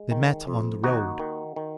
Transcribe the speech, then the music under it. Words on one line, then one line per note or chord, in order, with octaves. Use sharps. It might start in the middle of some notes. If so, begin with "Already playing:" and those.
They met on the road.
Already playing: G#3
D#3
F2
D#2 D#4 F#4
D#3
D#3